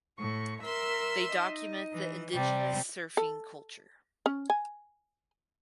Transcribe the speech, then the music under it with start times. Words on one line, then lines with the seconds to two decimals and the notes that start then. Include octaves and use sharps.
They document the indigenous surfing culture.
0.19 A2 C#6
0.62 A#4 E5 C6 E6
1.33 D#4 D#5
1.92 E3
2.34 C3 G3 D5
3.17 A4
4.26 C#4
4.50 G#5